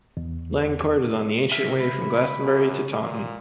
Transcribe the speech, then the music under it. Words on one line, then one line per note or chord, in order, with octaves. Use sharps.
Langport is on the ancient way from Glastonbury to Taunton.
E2
C#2 A#4 E5
B5
F#2
A#2